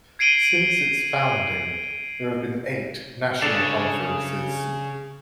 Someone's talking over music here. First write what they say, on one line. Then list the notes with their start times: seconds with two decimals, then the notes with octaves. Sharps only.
Since its founding, there have been eight national conferences.
0.19 G#6 C7 D7 D#7 F#7 G7
3.42 C#3 D4 A4